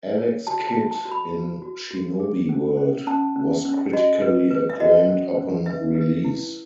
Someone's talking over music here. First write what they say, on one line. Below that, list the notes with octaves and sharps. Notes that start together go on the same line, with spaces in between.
"Alex Kidd in Shinobi World" was critically acclaimed upon release.
C#5
F#4 A5
A5
F#4
A5
F#4
B5
F#4
F#4
F#4
G#4
C#4
C#4
C#4 A5
C#4
C#4
F#4 D#5
B4
B4
E5
F#4 D#5
C#4
C#4
B4 E5
B4
E4